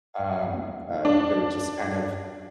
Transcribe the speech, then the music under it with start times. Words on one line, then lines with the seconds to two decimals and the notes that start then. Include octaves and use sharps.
um, uh, because it just kind of
1.05 D4